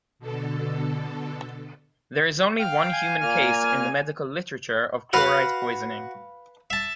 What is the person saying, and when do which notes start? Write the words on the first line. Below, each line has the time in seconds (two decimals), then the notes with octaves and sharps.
There is only one human case in the medical literature of chlorite poisoning.
0.19 B2 D3 A4
2.59 F5 G5
2.93 G#5
3.21 A#2 A#3 F6
5.13 F#4 B4 F5 F#5 B5
6.70 E5 A5